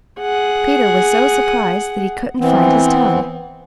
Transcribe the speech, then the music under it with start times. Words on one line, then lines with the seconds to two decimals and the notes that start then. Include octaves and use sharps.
Peter was so surprised that he couldn't find his tongue.
0.20 G#4 F#5
2.40 E3 B3 C4